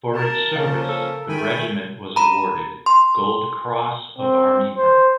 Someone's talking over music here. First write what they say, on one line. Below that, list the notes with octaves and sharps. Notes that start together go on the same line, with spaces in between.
For its service the regiment was awarded Gold Cross of Army Merit.
A#4 A5
C#3 F3 A#3 C#4
A4 A#4
D#3 A3 G#4 G5 G#5 B5
A#5 B5
C6
C4
C5